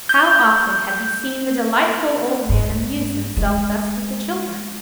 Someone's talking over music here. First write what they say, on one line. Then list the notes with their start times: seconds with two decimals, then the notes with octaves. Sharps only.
How often had he seen the delightful old man amuse himself thus with the children!
0.09 G6
2.49 G#2
3.37 G#3